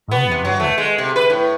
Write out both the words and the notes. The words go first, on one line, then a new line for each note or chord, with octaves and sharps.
Oh, no.
B3
C3
F#3
A3
G#3
C3
B4
A2